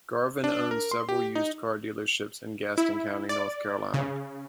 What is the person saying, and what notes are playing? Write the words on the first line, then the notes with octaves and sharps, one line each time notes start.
Garvin owns several used car dealerships in Gaston County, North Carolina.
D4
A#4
C6
G4
D#4
E4
D5
C#3